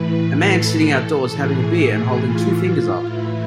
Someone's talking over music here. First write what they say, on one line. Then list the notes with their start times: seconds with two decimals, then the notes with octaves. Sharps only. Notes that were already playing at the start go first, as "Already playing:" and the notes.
A man sitting outdoors having a beer and holding two fingers up.
Already playing: A2 E3 B4
0.42 A4
1.29 A2 E3 G#4
2.16 F4
3.02 A2 E3 E4